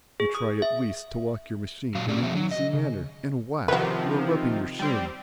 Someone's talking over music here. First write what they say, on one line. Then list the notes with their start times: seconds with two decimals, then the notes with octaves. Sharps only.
You try at least to walk your machine in an easy manner, and whack!--you are rubbing your shin.
0.20 G#4
0.35 D#6
0.62 E5
1.95 A#2 F#3 F5
2.09 C4 C#4 G4 G#4 D5
2.21 B2 F3 F#3 C4 E5
2.35 F#3
2.51 D#5
2.73 C#3
3.68 C3 D#3 F3 F#4 B4
4.79 G3 C4